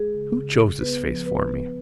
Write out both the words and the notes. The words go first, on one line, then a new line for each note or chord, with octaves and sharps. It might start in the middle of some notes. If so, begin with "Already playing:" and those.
Who chose this face for me?
Already playing: G#3 G#4
C#3
C#3
C#3
B3 B4
F3
B3 B4
B3